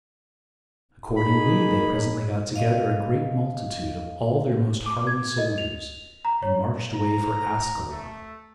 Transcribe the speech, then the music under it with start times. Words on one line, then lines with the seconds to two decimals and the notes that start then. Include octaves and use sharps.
Accordingly, they presently got together a great multitude of all their most hardy soldiers, and marched away for Ascalon.
1.16 A#3 D#4 G#4 B5
2.56 D#5 F5
4.86 D6
5.07 G#6
5.38 D#5
5.58 F7
6.25 A#5
6.43 C#5
6.93 A#5
7.89 A3